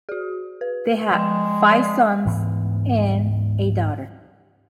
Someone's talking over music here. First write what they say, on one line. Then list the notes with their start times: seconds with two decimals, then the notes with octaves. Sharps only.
They had five sons and a daughter.
0.09 F#4 G#4
0.61 B4
1.11 F3 G#3 G5
1.71 D5 D#5 D#6
2.25 D2 G#2 E3 B3